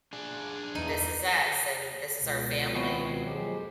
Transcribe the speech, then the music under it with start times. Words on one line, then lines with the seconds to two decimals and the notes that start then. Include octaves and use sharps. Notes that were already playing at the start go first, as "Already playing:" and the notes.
this is us, and this is our family.
0.13 D4 G#4
0.75 E2 D#4
2.19 C#2 B2
2.75 D#2 B3 C4 E4 F#4 C#5
3.25 F2 F#3 G#3 G4